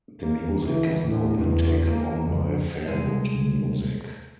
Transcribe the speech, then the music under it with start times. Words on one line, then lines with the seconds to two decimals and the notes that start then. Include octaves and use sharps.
The music has now been taken on by Fairwood Music.
0.21 A#3
0.64 E3
1.07 A2
1.39 E2
1.90 A#3
2.25 F2
2.88 C2 G2 G#3